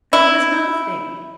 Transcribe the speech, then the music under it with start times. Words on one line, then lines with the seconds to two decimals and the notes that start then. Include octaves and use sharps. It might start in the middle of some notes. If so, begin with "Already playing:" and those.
And then there's another thing.
0.13 E4